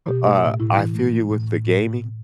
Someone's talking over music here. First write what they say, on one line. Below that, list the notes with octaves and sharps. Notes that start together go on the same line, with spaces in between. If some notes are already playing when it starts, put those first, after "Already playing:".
uh, I feel you with the gaming.
B2 G4
A3
A2
A2 E4
E3 E4
A3
A3
A2
A2
A2